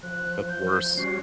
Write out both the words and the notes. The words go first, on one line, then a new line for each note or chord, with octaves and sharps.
That's worse.
F3 F#6
G6
G3 C#4 F#4 C7